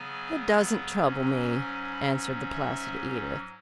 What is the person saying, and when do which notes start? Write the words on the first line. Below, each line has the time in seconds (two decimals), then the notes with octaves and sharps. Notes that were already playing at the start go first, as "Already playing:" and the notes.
"It doesn't trouble me," answered the placid Edith.
Already playing: C#3 F#3 B3 G#5
1.02 G#2 F#3 C#4
1.60 G#5
1.91 B5
2.49 E5